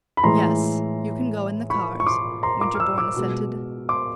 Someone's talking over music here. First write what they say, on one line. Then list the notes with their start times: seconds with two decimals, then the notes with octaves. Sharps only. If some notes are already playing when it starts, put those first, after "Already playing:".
"Yes; you can go in the cars," Winterbourne assented.
0.17 B5
0.24 A2 E3 G#3 A#5 C6
1.70 B5 C#6
2.00 C#6
2.06 C6 D6
2.43 A#5 C6
2.61 C6 D6
2.75 F6
2.80 D6 E6
2.98 D6 E6
3.16 B2 G#3
3.89 C6 D6